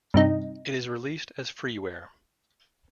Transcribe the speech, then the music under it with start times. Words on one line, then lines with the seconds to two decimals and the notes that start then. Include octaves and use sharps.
It is released as freeware.
0.14 G2 C3 D#4